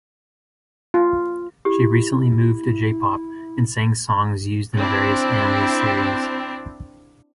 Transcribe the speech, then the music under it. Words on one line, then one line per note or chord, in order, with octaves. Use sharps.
She recently moved to J-Pop and sang songs used in various anime Series.
F4
E4 G4
C4 D4 E4